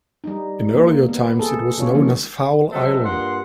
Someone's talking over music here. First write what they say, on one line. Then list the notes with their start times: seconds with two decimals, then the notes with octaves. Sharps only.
In earlier times it was known as "Fowle Island".
0.24 G3 D#4
0.73 D#3 A#3
1.09 B3
1.40 G#4 A4
1.78 C#3 F4 C#5
1.94 D3 D#3 F3 G#3 A#3
2.72 F#3 G#3 C4 A4 D#5 E5
3.05 G2 A#2 F#5 C6